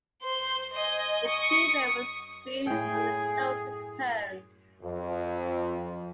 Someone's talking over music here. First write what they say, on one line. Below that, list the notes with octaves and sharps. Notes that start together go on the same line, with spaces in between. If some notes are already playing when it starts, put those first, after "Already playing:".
The two men were soon on the closest terms.
C5 C6
D#5 G#5
C#6 D#6
A2 G#4 G5
F2